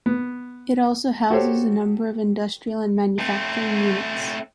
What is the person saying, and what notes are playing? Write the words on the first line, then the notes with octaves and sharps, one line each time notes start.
It also houses a number of industrial and manufacturing units.
B3
F#4 G4 A4 C5 C#5
A3 C4